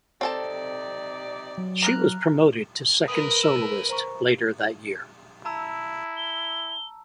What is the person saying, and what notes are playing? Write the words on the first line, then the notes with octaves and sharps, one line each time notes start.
She was promoted to second soloist later that year.
C3 C4 D#4 A4 D5 A5
F#3
A#5 F6 F#6
A#4 B4 D#6
E6 D#7 E7
C5 A#5 C#6
E4 A5 A#5 E6
G7